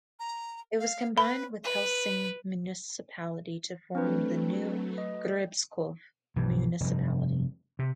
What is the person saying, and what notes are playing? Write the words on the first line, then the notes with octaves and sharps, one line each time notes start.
It was combined with Helsinge municipality to form the new Gribskov municipality.
A#5
F5
B4 B5
B4
F#3 A3 C4 D4 B4
B4 D#5
B1 G2 E3
F1 G2
C3